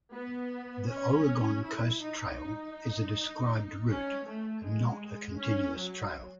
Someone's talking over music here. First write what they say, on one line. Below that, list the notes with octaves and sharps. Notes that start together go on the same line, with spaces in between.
The Oregon Coast Trail is a described route and not a continuous trail.
B3
C#4
E4
D#4
D#4
C#4
A3
G#3
C#4
F#3